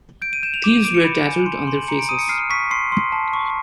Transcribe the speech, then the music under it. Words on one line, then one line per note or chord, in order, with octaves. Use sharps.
Thieves were tattooed on their faces.
G6 D7
D#7
G6 E7
F7
D6 E7
D#7
D6 D7
C#7
B5
G#5
C6
C6
A#5 C#7
D7
D#6 D#7
C#7
F6 C7
C#6 B6
C6 C7
C6
A5
C#6